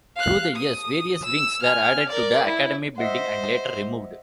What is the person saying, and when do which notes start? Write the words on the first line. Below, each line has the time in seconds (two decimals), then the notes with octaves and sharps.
Through the years, various wings were added to the Academy building and later removed.
0.16 F5 F#6
0.56 D#6
1.24 E6
1.63 G#5 F6
2.09 A#4 D5
2.45 E4
2.98 C5 D#5 E5 F#5